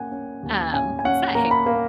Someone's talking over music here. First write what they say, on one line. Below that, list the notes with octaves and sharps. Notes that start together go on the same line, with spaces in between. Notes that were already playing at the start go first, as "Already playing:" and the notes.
um, it's that hair.
Already playing: A#3 C#4 F#5 G#5
C#4
D#2
C#4 G#5
G#5
C#4 F#5
A#3 A#5
B5
A#3